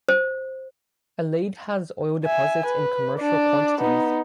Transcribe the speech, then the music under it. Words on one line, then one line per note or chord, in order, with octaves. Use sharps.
Alade has oil deposits in commercial quantities.
C5
E5 G#5
B4
D4 D5
B3 D#4